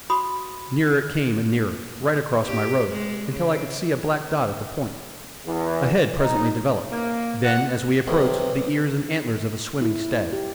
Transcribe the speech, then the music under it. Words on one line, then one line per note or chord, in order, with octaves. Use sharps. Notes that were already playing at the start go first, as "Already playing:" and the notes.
Nearer it came and nearer, right across my road, until I could see a black dot at the point, a head presently developed, then as we approached the ears and antlers of a swimming stag.
F#4 B5 C6 D#6
G4
G#3
C#3
E2
D#4
A#3
F#5
B1 C3
E4
G4